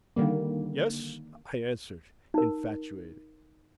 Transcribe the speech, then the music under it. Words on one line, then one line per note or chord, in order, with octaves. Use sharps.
"Yes," I answered, infatuated.
D3 D#3 G3 A#3
D#4 A#4